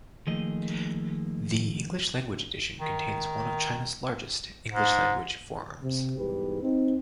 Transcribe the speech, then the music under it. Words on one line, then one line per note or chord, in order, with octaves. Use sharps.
The English language edition contains one of China's largest English language forums.
D#3 F3 A3 A#3 G#4 D#5
D#3
G#2
C3
B1 E2 G#2 G3 G4 B4
C4 D#4